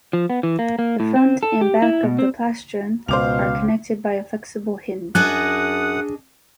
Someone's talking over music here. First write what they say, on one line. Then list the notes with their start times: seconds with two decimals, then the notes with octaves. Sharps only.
The front and back of the plastron are connected by a flexible hinge.
0.13 F3
0.30 B3
0.43 E3
0.59 A#3
0.79 A#3
1.00 A2
1.16 C4
1.43 A4
1.61 G4
1.82 E4
2.03 B2
2.19 C4
3.08 C#2 B2 C5 F5 D6 F7
5.15 F#2 D4 G#4 D#5 F#5 D#6 F#6